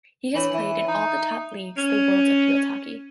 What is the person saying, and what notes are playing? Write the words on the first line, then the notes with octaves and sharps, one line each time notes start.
He has played in all the top leagues the world of field hockey.
E3 D4 C#5 F#7
E3 E5
D#4
C#4